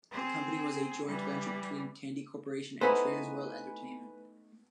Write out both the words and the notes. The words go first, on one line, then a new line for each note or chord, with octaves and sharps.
The company was a joint venture between Tandy Corporation and Trans World Entertainment.
C4 G#4
E3 G3
A3 B3 D#4 E4 B4 C5 G#5 B6